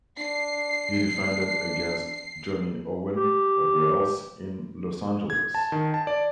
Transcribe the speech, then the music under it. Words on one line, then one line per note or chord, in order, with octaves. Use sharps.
He defended against Johnny Owen of Wales in Los Angeles.
D4 C7
D4
G4
G#6
A5
D#3
A5
D5